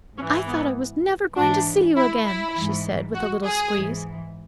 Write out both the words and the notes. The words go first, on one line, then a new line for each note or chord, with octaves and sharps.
"I thought I was never going to see you again," she said, with a little squeeze.
G#2 E3 C#4
B3
G#2 E3 D4
E4
E4
G#2 E3
F#4
G#4
G#2 E3